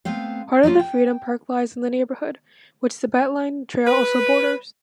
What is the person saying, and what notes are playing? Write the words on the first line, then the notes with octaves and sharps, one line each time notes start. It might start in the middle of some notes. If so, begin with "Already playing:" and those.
Part of Freedom Park lies in the neighborhood, which the BeltLine trail also borders.
A3 B3 C4 F5
F#3 A3 A#3 F4
G5
B4